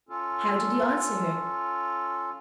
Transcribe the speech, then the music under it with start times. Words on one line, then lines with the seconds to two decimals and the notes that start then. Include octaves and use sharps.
How did he answer her?
0.09 C#4 F4 A4